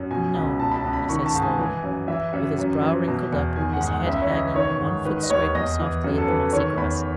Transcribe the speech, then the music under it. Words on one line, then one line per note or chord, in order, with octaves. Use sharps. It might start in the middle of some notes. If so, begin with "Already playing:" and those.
"No," he said slowly, with his brow wrinkled up, his head hanging and one foot scraping softly at the mossy grass.
Already playing: F#2
B2 G#5
C#2
B2 A5
B5
A5
C#2
B5
D#3 C#6
A5
G#2
G#5
E3
F#2
E3 E5
F#2 E5
F#2
E3
B2
E2
D#3 G#5
F#5
G#2
F#5
C#2 E5
C#5
E3 D#5
D#3 C#5
G#2
D#3 B4
D#5
D#2 C#5
E2 D#5
E3
F#2
A4
E3 B4
D#3 C#5
E2 B5